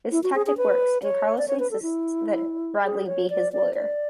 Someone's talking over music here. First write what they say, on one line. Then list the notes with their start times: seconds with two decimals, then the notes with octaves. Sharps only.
This tactic works and Carlos insists that Bradley be his lawyer.
0.12 E4
0.23 F#4
0.35 G#4
0.46 G#4
0.57 B4
1.03 C#5
1.38 D5
1.48 C#5
1.59 B4
1.71 A4
1.82 E4
2.84 G#4
3.07 C#5
3.30 D5
3.53 D5
3.75 D5